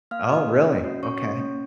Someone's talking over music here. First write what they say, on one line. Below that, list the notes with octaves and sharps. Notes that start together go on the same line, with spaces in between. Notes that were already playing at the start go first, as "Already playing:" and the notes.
Oh, really? Okay.
A#3 F5 F6
F#4 D#5 D#6
A#3
C#4
F#4
C#4 C#5 C#6
A#3
C#4